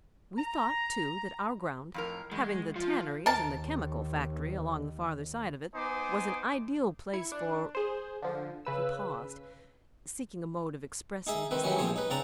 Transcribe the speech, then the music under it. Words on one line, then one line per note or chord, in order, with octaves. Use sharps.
"We thought, too, that our ground, having the tanneries and the chemical factory along the farther side of it, was an ideal place for--" he paused, seeking a mode of expressing his thought.
A#5
F2 A2 A#4
E2 G#3
F3 F4
D#2 A#4 A5
B3 D#4 C5 G#5 D6 D#6
E4 G#6 C#7
D4
G#4 C5
D3 F3
C#3 B4 E6
D#4 G#4 E5
D#3 C4 B4
D#3 E3 F#3 G3 C#4 G4
A#1 F3 C4 G#4 C#5
D#4 B4
C#3 C4 D4 D5 A#5